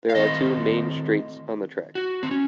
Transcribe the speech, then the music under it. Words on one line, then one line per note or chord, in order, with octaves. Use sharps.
There are two main straights on the track.
F5
D#3 A3 C4 D#5
F#4
C4
C#4